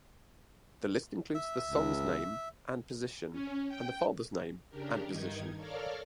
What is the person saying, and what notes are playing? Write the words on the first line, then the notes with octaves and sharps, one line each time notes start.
The list includes the son's name and position and the father's name and position.
E5
C#2
C#4
G5
C#3 D4 G4 A#4
G2 D#3 D#4 G#6
A4 A#4 C#5 D5 F5 F6